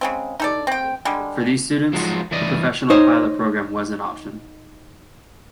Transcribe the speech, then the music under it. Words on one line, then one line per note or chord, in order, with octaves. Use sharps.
For these students, the Professional Pilot program was an option.
C#3 G#3 C4
D#4 A4 D5
C4 G5
D3 G3 G#3
F3 F#3 G#3 D#4 F4 F#4
G2 E3 D5 D#5
D#4 C5 C#5